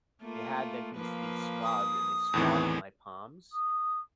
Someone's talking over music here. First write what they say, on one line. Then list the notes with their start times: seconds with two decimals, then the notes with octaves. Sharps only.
they had, like, these these swabs, and they swabbed my palms,
0.22 A3 A#3 F4
0.95 F3 A#3 B4
1.63 D#6
2.34 E2 A2 D#3 E3 C4
3.52 D#6